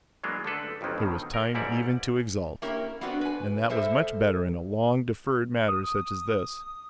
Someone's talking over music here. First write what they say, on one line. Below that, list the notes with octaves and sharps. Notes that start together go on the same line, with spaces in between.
There was time even to exult, and that was much better in a long-deferred matter such as this.
E3 F#3 G#3 A#3 D4
D3 G#3 A3 D4 A4 B4
G1 F2 D#3 F3 F#3
B2 D3 D#3
A#4
B1 G#2 G3 E4 D5 F#5
A#3 C#4 E4 G4 A#4
B3 C4 D4 F#4 B4
B4 G#5
G3 A4 C5 E5
D#6